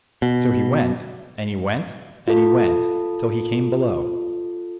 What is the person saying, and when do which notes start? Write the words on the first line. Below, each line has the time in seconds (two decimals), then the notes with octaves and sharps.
So he went, and he went, and he went, till he came Below.
0.22 B2
2.28 F4 A4